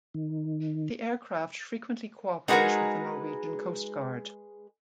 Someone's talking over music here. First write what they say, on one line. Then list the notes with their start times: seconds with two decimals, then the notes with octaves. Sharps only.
The aircraft frequently cooperate with the Norwegian Coast Guard.
0.14 D#3
2.48 G#3 D#4 F#4 G#4 A#4 B4